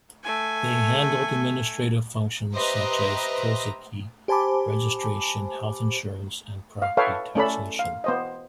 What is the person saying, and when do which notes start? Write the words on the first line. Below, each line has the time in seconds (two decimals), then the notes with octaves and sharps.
They handle administrative functions such as "koseki" registration, health insurance, and property taxation.
0.23 A3 G#5
2.54 G4 B4 C5 D#5 E5 A#5
4.28 G4 C5 G#5 A5 B5 D6
6.82 F5
6.97 A4 B4 C#5 E5 F5 G5
7.35 A3 C#4 A4 D5 B5
7.79 F5
8.04 B3 C5 D#5